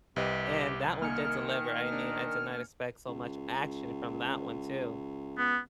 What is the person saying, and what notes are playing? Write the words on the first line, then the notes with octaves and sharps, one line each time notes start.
and that one did deliver, I mean, I did not expect so much action from that one too,
C2 C3 G4 B4 D#5
D#3 A#3 G#5 F6 C#7
D4
C#2
B3